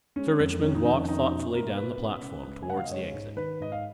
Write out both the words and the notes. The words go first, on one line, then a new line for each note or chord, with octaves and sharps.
Sir Richmond walked thoughtfully down the platform towards the exit.
G#3 C#4
F2
D#3 C#4
D#4
F2 D#4
C#4
C#4 D#4
B2
A#3 A#4
B2 B4
C#4
C#3
G#3
G#5
C#3 F#5
F5
D#5
G#3 C#5
G#2
D#3 B4
G#2 D#5
F5